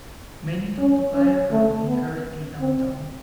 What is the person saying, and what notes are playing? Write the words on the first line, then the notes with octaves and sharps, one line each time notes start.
Many took to higher ground in current-day Downtown.
C#4
C#4
A3
B3
C4